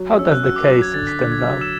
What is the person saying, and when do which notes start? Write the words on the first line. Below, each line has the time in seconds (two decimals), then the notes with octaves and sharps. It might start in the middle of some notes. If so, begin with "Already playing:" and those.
How does the case stand now?
Already playing: F#3
0.19 C#4 E6
0.31 F#6
0.44 F#4 E6
0.56 D6
0.68 F#3 E6
0.82 G#6
0.94 D3 A6
1.07 B6
1.19 D3 A6
1.32 G#6
1.44 F#3
1.61 E6 E7